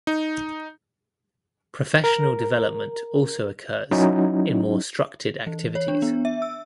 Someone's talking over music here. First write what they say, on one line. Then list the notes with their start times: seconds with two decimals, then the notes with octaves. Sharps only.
Professional development also occurs in more structed activities.
0.07 D#4
2.04 A#4
3.91 F#3 C#4 D#4 E4
5.47 E3
5.75 C#5
5.88 D4
6.02 B3
6.25 E5
6.42 E6